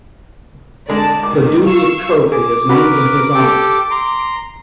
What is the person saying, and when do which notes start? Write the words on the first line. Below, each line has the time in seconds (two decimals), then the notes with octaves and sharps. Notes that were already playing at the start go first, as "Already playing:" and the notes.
The Duleep Trophy is named in his honour.
0.88 D3 G#3 D5 A5
1.23 G#2 D#3 D6
1.67 F5 C#6 E6
2.32 G#4 D6
2.69 F#4 A#4 B4 B5
3.34 G4 A4
3.91 A#5 C6